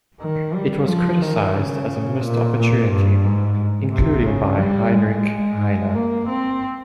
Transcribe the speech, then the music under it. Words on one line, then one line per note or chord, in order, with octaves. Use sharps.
It was criticized as a missed opportunity, including by Heinrich Heine.
D#3
G3
F3
D#3
C#3
A#2
A#2
G2
G#2
C3
C#3
G3
G#3
A#3
C4